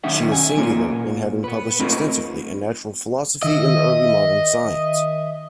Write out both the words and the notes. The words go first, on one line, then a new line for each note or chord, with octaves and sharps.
She is singular in having published extensively in natural philosophy and early modern science.
B1 D#3 C#4 D#4 E5 F#5
G#5
A#2 A#3 B3 F4
A#2
B3 B4
A3 C4 D#4 F4 A#4 B4
D#3 D#5 E5